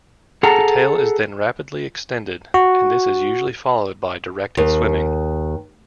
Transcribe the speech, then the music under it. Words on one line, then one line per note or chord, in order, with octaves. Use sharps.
The tail is then rapidly extended, and this is usually followed by directed swimming.
G#4 A4 F#5 A5 A#5
F#4
D#2